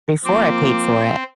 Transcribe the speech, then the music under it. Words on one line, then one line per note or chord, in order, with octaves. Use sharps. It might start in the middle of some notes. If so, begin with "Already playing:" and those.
before I paid for it.
F3 A#3 C4 D6